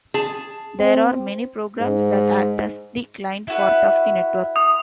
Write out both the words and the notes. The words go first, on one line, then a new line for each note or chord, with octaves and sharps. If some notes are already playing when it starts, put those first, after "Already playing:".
There are many programs that act as the client part of the network.
G#4 A5
C4
G#2
E4 F#4 B4
D#6